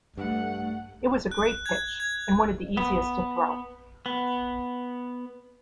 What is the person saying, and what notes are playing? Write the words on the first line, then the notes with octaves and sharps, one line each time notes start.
It was a great pitch and one of the easiest to throw.
G2 A3 F#5
F#6
G#6
G#6
B3
B3